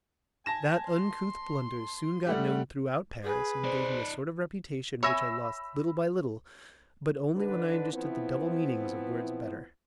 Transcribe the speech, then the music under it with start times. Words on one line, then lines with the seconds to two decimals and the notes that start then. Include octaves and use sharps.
That uncouth blunder soon got known throughout Paris, and gave me a sort of reputation which I lost little by little, but only when I understood the double meanings of words better.
0.46 G#5 A5 A#6 E7
0.88 C6
2.26 G3 A3 G4 F#5
3.23 G#4 B4
3.64 D#4 C5 D5
5.03 C#5 E5 G#5 B5 E6 A#6
7.35 G#2 D3 D4 B4
7.92 E3 F3 B3 C4 E4